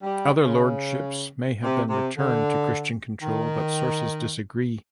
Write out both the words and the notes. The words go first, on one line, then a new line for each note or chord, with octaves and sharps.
Other lordships may have been returned to Christian control, but sources disagree.
G3
C#3
C3
C3
D3
D#3